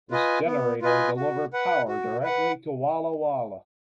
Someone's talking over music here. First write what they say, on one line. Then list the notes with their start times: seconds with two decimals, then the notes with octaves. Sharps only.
This generator delivered power directly to Walla Walla.
0.11 F4 B4 D#5 G#5
0.46 B3
0.82 F4 B4 D#5 G#5
1.17 F#4
1.53 B4 F#5
1.89 F#4
2.23 B4 F#5